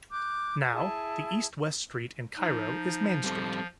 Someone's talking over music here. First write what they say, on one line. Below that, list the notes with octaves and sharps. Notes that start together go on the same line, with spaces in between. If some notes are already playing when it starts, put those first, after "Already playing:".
Now, the east-west street in Cairo is Main Street.
D6 F#6 G6
E4 G#4 A5
F3 D#4
G3 C4 A4